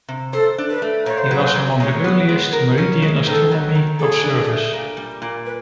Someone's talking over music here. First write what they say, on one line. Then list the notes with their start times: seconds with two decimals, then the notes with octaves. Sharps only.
He was among the earliest meridian-astronomy observers.
0.09 C3
0.33 A4 C5
0.58 D4
0.70 B4
0.82 A3
1.06 A#2 C#5
1.18 C5
1.28 F#3 B4
1.41 C5
1.55 A#2
1.80 G#3 C#5
2.04 B3
2.29 G#3
2.53 A#4
2.78 C#4
3.02 G#3
3.26 D#3 A4 B4
3.51 F#3
3.75 D#3
3.99 G#4 A4
4.24 D4
4.49 A3
4.73 A#2
4.97 G3
5.22 A#2
5.46 B4